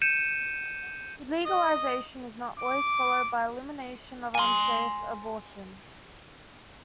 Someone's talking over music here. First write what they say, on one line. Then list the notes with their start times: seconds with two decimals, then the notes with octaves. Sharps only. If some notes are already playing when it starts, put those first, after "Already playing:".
Legalization is not always followed by elimination of unsafe abortion.
0.02 G6 C#7 D#7 E7
1.46 D#5
2.60 D6
4.35 G#5 C6